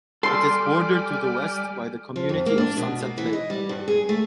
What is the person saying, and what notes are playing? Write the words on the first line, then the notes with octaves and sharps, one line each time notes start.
It is bordered to the west by the community of Sunset Lake.
G3 A4 D5 G#5 C6 F6
F3
F2
A#3
D4
B2
A#3
E3
D#5
G3
G2
G#4
A3